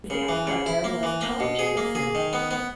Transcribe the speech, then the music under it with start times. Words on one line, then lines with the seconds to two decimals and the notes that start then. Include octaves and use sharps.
His dance partner was Tone Jacobsen.
0.10 C#3
0.29 E3
0.47 C#3
0.66 E4
0.84 A#3
1.03 E3
1.21 A#3
1.40 B2
1.59 G#4
1.77 A#3
1.95 G#4
2.15 D#3
2.33 B3
2.51 B3